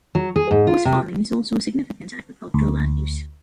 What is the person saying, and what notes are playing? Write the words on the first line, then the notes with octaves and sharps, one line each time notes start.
Horse farming is also a significant agricultural land use.
F#3
G#4
G#2
F4
C3
D2